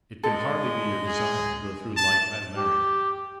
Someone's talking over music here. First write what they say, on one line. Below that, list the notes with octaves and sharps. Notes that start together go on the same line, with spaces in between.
It can hardly be your desire to go through life unmarried.
G#3 A4
G#4
A5
G4